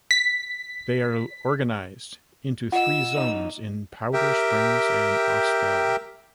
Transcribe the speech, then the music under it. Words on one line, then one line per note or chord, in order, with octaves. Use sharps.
They are organized into three zones in Powder Springs and Austell.
B6
F4 D#5 F#5 E6
E2 D#4
G4 A#4 E5 G5